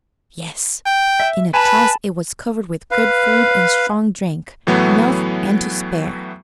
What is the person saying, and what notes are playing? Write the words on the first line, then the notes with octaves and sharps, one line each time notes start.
Yes! in a trice it was covered with good food and strong drink, enough and to spare.
G5
E5
B4 G#5 A5 B5
B4 F5
A2 E3 F#3 A3 B3